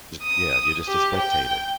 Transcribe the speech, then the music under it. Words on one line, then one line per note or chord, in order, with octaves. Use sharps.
J yeah, you're just a spectator.
D#6
G4
G5